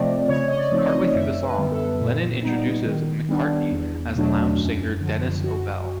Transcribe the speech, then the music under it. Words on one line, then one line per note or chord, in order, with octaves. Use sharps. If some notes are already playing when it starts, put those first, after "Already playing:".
Partway through the song, Lennon introduces McCartney as lounge singer Denis O'Bell.
Already playing: C3 F3 A3 C4 D5 D#5
C#3 C#5
D#5
D5
F3 A3 C4 D#4
D#5
F#2 E5
B4
D3 G3 B3
A4
A#2
G3 B3 D#4
D#3
G3 B3 D4
E2
B2 F#3 A3 D4
F#2
D3 F3
F#2 F#4